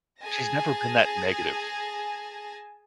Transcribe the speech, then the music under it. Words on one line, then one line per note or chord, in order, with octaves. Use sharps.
She's never been that negative
G#4 G#5 A5 A#6